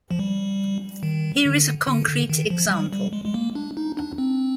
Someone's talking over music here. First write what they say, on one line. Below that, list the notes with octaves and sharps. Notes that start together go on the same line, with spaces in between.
Here is a concrete example.
F3
G3
D#3
D3
D3
D3
D#3
F3
G3
G3
G#3
G#3
A#3
D4
D#4
D4
C4